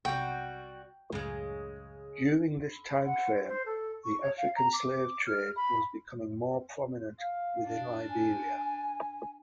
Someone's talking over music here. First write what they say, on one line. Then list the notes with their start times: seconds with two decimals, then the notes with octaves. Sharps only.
During this timeframe, the African slave trade was becoming more prominent within Liberia.
0.05 B1 C3 G3 F#4 G5
1.12 C#2 F#2 A2 C#3 G#3
3.06 F#5
3.47 C5
3.66 A4
4.04 C#6
4.22 C#5
4.37 F5
4.56 A#5
4.73 D6
5.26 F6
5.56 B5
7.18 F5
7.66 D4
8.09 G#5